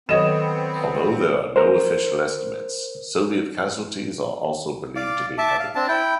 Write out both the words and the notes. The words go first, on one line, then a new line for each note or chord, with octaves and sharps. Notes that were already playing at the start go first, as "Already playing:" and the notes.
Although there are no official estimates, Soviet casualties are also believed to be heavy.
D#3 F#3 B3 C4 A4 C#5 D#5 E7
A#4 C5
D5 F5 D6
E5 A5 D6
F5
C4 D4 A5
E4 G5